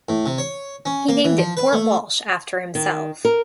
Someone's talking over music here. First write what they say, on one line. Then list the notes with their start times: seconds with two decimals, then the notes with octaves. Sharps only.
He named it Fort Walsh after himself.
0.09 A2
0.26 C3
0.38 C#5
0.86 C#4
1.09 A#3
1.25 E3
1.38 F3
1.57 B4
1.73 A3
2.75 D#3
3.25 A#4